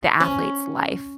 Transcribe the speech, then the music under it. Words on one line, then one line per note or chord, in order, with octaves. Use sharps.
the athlete's life.
C#4